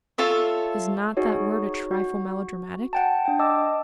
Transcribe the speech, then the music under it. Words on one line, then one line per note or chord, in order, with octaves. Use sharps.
"Is not that word a trifle melodramatic?"
F4 A4 C#5 E5
D#4 F#4 G#4 C#5
F#4
F#5 G5 A5
D4 G5
D#5 A5 D6 E6